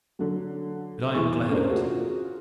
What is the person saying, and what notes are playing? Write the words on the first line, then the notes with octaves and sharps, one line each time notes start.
But I am glad of it.
D3 F#3
E2 E3 G#4 C#6
C3 A3 C#4 D4 A#4 C5
F4 F#4 G#4 A#4